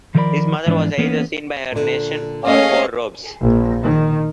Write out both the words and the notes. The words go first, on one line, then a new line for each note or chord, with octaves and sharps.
His mother was either Seen by Her Nation or Four Robes.
D#3 F3 G3 A#4 D5 B5
G#2 E3 F3 B3 C#4 D4
E3 A#3 B3 C#4
A#2 D3
A3 A#3 C#4 G#4 C#5 D#5 F5
A#1
D#3